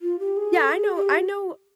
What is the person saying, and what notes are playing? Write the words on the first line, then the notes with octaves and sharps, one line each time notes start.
Yeah, I know I know
F4
G4
G#4
A4
G#4
G4